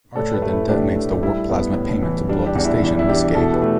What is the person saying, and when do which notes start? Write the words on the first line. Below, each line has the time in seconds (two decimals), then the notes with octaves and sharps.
Archer then detonates the warp-plasma payment to blow up the station and escape.
0.16 A2 A4 D5
0.34 G4 B4
0.42 A3
0.51 E4 A4
0.69 A2 D4 G4
0.96 A3
1.23 G3 E4
1.49 B3
1.75 A2
2.02 E3
2.29 G3 D4
2.46 D4 G4
2.55 E2
2.64 E4
2.83 E2 E4
2.99 E4
3.08 E3 D4 G4
3.35 B2 E4 A4
3.53 G4 B4
3.62 A3